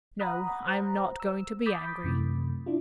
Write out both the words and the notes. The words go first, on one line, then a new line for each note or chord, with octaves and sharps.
No, I am not going to be angry.
F#5 A#5 B5 D#6 F#6
C5 A#5
E6
B5 D6 D#6 G6 A6 B6
F#2 C3 E3 A3
D4 E4 F4